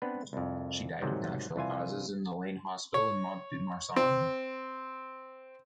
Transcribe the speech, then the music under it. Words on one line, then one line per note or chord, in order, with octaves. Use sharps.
She died of natural causes in the Layné hospital in Mont-de-Marsan.
B3 C4 D4 B4
C2 F2
G#2 C3 D#3 F#3 G3
C2 E3 F4 G#5
C#5
C4